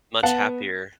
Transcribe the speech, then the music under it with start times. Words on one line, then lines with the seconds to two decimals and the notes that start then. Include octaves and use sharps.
much happier.
0.23 B3 F#5 A5